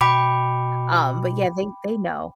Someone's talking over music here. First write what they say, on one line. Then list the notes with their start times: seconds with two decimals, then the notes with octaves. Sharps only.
Um, but, yeah, they they know.
0.01 B2 G5 B5 D6